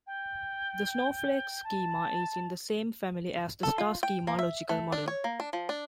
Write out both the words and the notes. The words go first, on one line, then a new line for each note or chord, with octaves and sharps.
The snowflake schema is in the same family as the star schema logical model.
G5
A5
A4
F4
G5
A#3
E5
A3
D4
C#5
A#3
D4
F3
D4